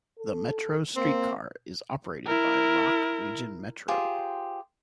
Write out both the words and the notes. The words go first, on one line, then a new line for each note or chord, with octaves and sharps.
The Metro Streetcar is operated by Rock Region Metro.
A4
A#3 C4
E4 A#4
F4 G4 G#4 C5